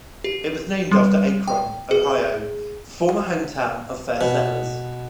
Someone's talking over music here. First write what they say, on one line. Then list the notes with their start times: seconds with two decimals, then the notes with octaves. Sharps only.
It was named after Akron, Ohio, the former hometown of first settlers.
0.24 G4
0.91 G3
1.48 G5
1.91 G#4
4.21 B2